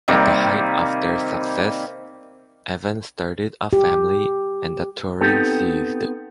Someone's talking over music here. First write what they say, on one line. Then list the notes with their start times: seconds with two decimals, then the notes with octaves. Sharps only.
At the height of their success, Evan started a family and the touring ceased.
0.08 C3 D#3 G3 A#3
3.73 G4
5.21 B3 C4 D#4 G4 A4